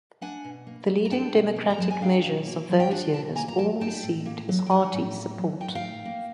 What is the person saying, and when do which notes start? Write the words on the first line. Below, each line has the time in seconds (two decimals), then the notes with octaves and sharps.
The leading Democratic measures of those years all received his hearty support.
0.21 D4 F#5 G#5
0.44 B2
0.67 A#3
0.89 F#3
1.05 A#5
1.11 D4 G5 A5
1.34 B2
1.56 A#3
1.70 A#5
1.78 F#3 A5
1.91 G#5
2.01 D4 F5 G5
2.24 B2
2.46 A#3
2.68 F#3
2.80 G5
2.90 D4 F#5 G#5
3.13 B2 G5 A5
3.35 A#3 G#5 A#5
3.48 A#5
3.58 F#3 G5 A5
3.80 D#4 G5 A5
4.03 A2
4.26 A#3
4.49 F#3
4.66 G5
4.70 D#4 F#5 G#5
4.93 A2
5.16 A#3
5.38 F#3
5.60 D#4 G5
5.69 F#5
5.75 F5 G5
5.83 A2
6.05 A#3